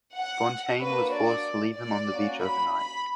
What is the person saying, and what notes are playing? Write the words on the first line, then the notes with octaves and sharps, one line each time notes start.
Fontaine was forced to leave them on the beach overnight.
F#5
A#3 D4 F#4 B4
D5
D5
A#3 C#4 F#4
B5
B5